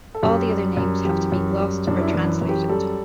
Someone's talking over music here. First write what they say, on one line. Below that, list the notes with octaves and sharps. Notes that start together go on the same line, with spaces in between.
All the other names have to be glossed or "translated".
A4
F#2 G4
G3
F#2
E3 G4
F#2
G3
F#2 D4
E4
D4
E3
F#2
G4
G3 A4